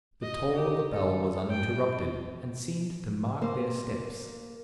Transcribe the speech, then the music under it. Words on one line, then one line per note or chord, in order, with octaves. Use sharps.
The toll of the bell was uninterrupted, and seemed to mark their steps.
D#5
G4
A4
G5
C4
A#3 C5